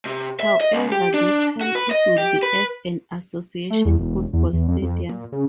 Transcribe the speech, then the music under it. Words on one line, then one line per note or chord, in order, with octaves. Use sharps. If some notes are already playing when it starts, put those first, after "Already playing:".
However, this time it would be as an association football stadium.
C3
E5
D#5
C#2
G4
D4
F#4
B4
D#5
G4
B4
A3
E2
E1
E2
E2
F2
F2
A#2
C#3